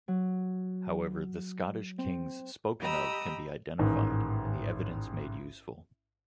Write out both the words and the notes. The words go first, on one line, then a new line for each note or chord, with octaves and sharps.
However, the Scottish kings spoken of can be identified, and the evidence made useful.
F#3
C4
G4 D#5 A#5 B5 D#6 E6
A1 G#2 D#3